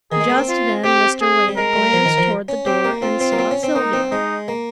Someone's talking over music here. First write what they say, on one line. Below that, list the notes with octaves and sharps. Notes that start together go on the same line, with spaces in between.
Just then Mr. Waite glanced toward the door and saw Sylvia.
D#3 G#4
G#3
A#3
C4
F4
C4 G4
G#4
G3
G#3 A#4
G3
F3
D#3
F3
C#4
C4 G4
A#3
C4 F4
C4
A#3
C4
C#4
C4
A#3 D#4
C4
G#3 D#4
A#3